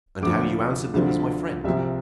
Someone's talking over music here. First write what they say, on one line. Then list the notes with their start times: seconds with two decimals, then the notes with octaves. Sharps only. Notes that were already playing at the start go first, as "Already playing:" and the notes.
"And how you answered them as my friend."
0.22 D2 D3 F3 D6
0.94 D2 D3 F3
1.64 C2 C3 F3 E5